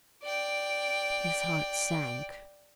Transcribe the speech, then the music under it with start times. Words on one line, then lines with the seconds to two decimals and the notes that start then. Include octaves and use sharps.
His heart sank.
0.23 D5 G5